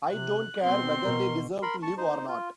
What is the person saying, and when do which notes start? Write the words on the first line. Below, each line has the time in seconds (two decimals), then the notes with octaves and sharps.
I don't care whether they deserve to live or not.
0.11 C3 F#6
0.63 B2 B3 C4 C6
1.04 B2 A#4
1.62 A#4 B5 C6
1.82 A5 C#6
1.97 D#4 C5
2.28 F4